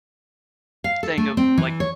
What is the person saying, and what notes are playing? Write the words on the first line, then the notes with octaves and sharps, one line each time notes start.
thing of, like,
F5
A4
A3
C4
E3
C#5